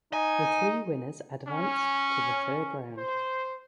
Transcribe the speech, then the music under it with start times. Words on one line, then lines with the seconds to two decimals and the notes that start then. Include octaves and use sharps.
The three winners advanced to the third round.
0.13 D#4 G#5
1.48 C#4
2.97 C5